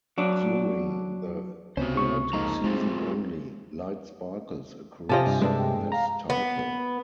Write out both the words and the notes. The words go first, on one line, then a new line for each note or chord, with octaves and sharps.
During the third season only, light sparkles across this title.
F#3 D4
C#2 C3 B3 C#4 F#4 C5
C#6
F2 F3 G#3 A#3 D#4 A#5
F#3 G#3 A3 C4 F4 G#4
C3 F4 G4 D#5 G#5 A5
G2
G#3 D4 A4 B4
G5
F5 A#5
B3